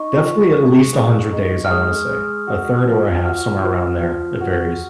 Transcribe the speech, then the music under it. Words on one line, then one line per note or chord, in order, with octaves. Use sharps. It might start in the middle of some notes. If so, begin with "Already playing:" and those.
Definitely at least a hundred days, I wanna say, a third or a half, somewhere around there, it varies.
Already playing: D#4 C#6
F3
G#3
G#3
D#4
F6
G#3 D#6
G#3
F#4
F3
F#4 F6
F3
F3
F#4